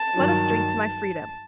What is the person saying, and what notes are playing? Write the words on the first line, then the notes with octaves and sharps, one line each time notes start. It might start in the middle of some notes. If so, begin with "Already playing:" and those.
Let us drink to my freedom.
Already playing: A5
G2 D#3 F#3